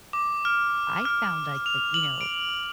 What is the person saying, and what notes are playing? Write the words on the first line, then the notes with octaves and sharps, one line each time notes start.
I found, like like, you know,
D6
F6
F6
F7
F#7
D7